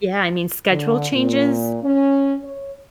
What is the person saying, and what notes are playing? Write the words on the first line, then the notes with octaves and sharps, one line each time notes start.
Yeah, I mean, schedule changes,
D3
A#2
C#4
C#5